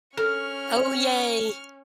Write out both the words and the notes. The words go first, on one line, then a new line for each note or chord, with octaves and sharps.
Oh, yay.
C#4 A4 A#4 C#6 F6